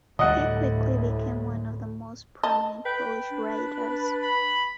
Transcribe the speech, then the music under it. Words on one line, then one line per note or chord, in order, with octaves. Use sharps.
He quickly became one of the most prominent Polish writers.
D2 A2 D3 G3 D#5 F#5
D#5 A5
B4 G5
D4
B5